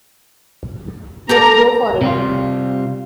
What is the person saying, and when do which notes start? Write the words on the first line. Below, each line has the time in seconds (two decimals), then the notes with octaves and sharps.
Let's go for it.
1.29 G4 A4 D5 A#5
2.01 C3 G3 F4